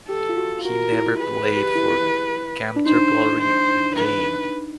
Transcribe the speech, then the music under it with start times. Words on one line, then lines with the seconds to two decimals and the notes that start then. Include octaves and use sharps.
He never played for Canterbury again.
0.09 G4 A4
0.29 F4
0.37 F#4
0.59 F4
0.65 F#4 A#4
0.79 F4
0.92 E4
1.06 F4
1.20 G#4 B4
1.39 G#4
1.57 G4
1.75 E4
2.76 D4
2.86 D#4 C5
3.42 C5
3.96 B4